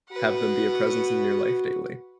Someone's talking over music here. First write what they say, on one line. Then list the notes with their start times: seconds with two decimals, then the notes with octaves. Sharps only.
have them be a presence in your life daily.
0.12 F#4 B4 F#5